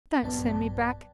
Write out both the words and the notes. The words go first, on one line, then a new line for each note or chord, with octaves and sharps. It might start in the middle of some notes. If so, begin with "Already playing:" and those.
Don't send me back!
A#1 G2 F#3 B3 D5 A5